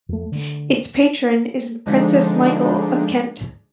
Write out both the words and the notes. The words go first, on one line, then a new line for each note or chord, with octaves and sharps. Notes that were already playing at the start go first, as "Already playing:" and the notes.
Its patron is Princess Michael of Kent.
F2 A3
D3 A3
D3 F3 G#3 D4 D#4